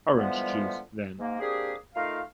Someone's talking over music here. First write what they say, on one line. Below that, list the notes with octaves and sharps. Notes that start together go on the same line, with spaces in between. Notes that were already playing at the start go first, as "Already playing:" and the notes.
Orange juice, then.
D3 E3 F3 G3 G#3 B3
G#2 A#3
A#3 C4 D4 G4 G#4
A3 D#4 F4 A#4 F5